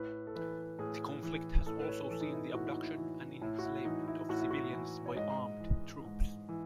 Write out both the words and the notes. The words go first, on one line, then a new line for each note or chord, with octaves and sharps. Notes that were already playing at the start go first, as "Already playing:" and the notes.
The conflict has also seen the abduction and enslavement of civilians by armed troops.
Already playing: A2 B4
A4
E3 B4
A2 G#4
E3
A2 A4
B4
C#5
B4
E3 A4
D#4
E4
A2 F#4
E4
D#4
E4
E3
A2 E4
F#4
E4
E3 D#4
E4
A2 F#4
E4
F#4
E3
C#5
G#2 D#5
E3
G#2
E3